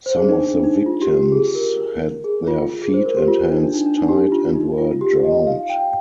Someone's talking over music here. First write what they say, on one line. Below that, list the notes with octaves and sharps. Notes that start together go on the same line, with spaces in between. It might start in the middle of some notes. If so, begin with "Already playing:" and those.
Some of the victims had their feet and hands tied and were drowned.
C5
G#4
D#4
D4
D#4
F4
G4
G4
G#4
A#4
G#4
F4
G#4
C5
A#4
G4
F4
F4
D#4
D4
D#4
D4
D#4
G4
F4
D#4
F4
G4
D#5
F5
G5